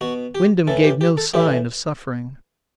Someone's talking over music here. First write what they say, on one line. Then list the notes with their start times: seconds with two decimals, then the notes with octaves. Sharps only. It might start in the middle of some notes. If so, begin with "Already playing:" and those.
Wyndham gave no sign of suffering.
0.01 B2 F#4
0.35 G4
0.67 A2 E3 A4
0.84 G4
1.01 G4
1.17 A4
1.34 A2 E3 G4